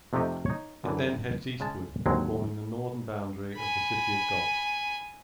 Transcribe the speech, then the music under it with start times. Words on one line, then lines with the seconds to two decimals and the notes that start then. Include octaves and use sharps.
It then heads eastward, forming the northern boundary of the city of Galt.
0.13 F2 C3 A3 D#4 G4 D#5
0.46 D#4 C#5
0.84 F#2 D3 E3
1.60 C#3 G#3 A5
2.06 D#2 G#2 D3 F#3 G#3 C4
3.55 G#5 B5